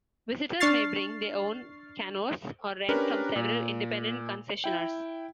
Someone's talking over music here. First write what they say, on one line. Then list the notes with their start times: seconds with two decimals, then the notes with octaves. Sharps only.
Visitors may bring their own canoes or rent from several independent concessioners.
0.60 D4 C#6 F6 A6 C7
2.89 C#4 D4 G4 A#4 B4
3.36 A#2
4.64 E4 G5